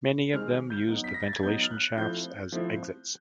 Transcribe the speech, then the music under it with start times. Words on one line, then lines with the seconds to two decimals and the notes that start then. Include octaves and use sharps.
Many of them used the ventilation shafts as exits.
0.33 D#3 G#3 C4 F6
0.70 G6
0.88 F#3 B3 D#4
1.04 B6
1.14 A#6
1.24 A6
1.33 G#6
1.43 F#3 B3 D#4 G6
1.62 F6
1.71 F#6
1.97 F3 A3 C4 E4 G6
2.52 F3 A3 C4 E4